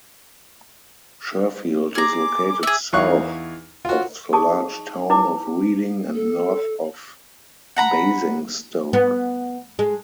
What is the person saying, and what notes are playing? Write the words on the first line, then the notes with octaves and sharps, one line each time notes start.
Sherfield is located south of the large town of Reading and north of Basingstoke.
G#4 A#5 D6
G#4 E5
E2 E3 D#4 F5 C#6 F#6
F4 F#4
D#4 G#4 A5 C#6 D#6
D#4 E4 B4 D6
A4
F#5 A#5 B5
B3
G#3